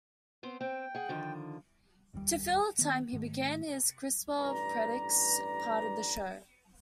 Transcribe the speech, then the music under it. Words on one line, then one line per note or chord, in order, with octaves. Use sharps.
To fill the time, he began his "Criswell Predicts" part of the show.
B3 C4 C5
C4 G5
G#4 F#5
D3 D#3 F3
F1 D#2 B2 G3
D#3 B3
G#2 D#3 A3
A1 G2 B4 D5 A#5